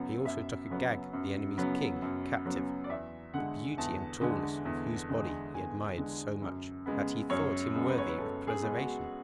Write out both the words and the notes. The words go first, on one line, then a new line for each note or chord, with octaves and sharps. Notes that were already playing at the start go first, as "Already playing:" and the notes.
He also took Agag, the enemies' king, captive,--the beauty and tallness of whose body he admired so much, that he thought him worthy of preservation.
Already playing: F#2 C#3 F#3 B3
F#2 E5
C#3 F#3 B3
F#2
C#3 F#3 B3
F#2
C#3 F#3 B3
D5
E2 E5
D3 G#3 F#5
E2 A5
D3 G#3
E2
D3 G#3
E2 G#5
D3 G#3
F#2
C#3 G#3 B3
F#2 C#5
C#3 G#3 B3
B4
C#5
B4
F#2 A4
G#4
C#3 G#3 B3
F#4